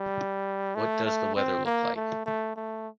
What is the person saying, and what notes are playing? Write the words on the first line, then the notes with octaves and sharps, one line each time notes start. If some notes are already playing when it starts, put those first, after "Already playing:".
What does the weather look like?
Already playing: G3
A3
A3
C4
A#3
A3
A3
A3